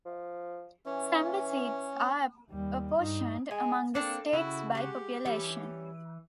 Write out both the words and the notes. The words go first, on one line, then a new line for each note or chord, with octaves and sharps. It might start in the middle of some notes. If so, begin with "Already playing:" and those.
Chamber seats are apportioned among the states by population.
F3
E3 C#4
D#2 G3
G2 D#4
G#3 G#5
A#3 C4 D4 A4 F5 G5
C#3 E4 F#4
G#3 G4 F#5
E3 G3 C#4